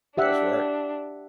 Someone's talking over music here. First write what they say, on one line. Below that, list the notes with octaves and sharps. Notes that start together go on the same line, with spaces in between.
That's right.
D4 G4 E5 F#5